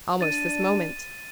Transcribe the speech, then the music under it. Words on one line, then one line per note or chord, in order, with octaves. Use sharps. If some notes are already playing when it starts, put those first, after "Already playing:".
"Almost this moment."
D4 A6 D#7